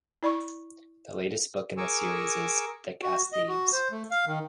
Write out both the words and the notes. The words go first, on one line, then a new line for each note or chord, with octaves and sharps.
The latest book in the series is "Thick as Thieves".
E4 D5 B5 C#6
G#4 A#4 G#5 C#6 D6 E6
F#4
D#5
F#4
C5
A3
F5
D#3